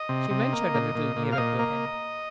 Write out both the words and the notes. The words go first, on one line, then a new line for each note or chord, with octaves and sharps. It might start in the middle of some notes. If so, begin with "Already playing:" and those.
She ventured a little nearer to him.
Already playing: D#5
C3
C3
A#3
A#2
A#2
A#2
F5
A#2 D#5
A#3